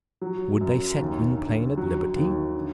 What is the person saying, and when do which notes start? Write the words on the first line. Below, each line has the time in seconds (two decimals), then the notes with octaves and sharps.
Would they set Gwynplaine at liberty?
0.21 F#3
0.61 F#2
1.00 D#2
1.38 D3
1.77 F#3
2.16 D#2
2.55 D3